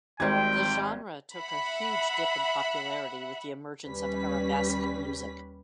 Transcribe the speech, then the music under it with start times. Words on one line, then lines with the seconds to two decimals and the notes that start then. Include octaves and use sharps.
The genre took a huge dip in popularity with the emergence of Arabesque music.
0.20 G#1 G#2 G3 C4 G5 G#6
1.34 E5 F#5 B5
3.88 D#2 G3 C#4 B4 B6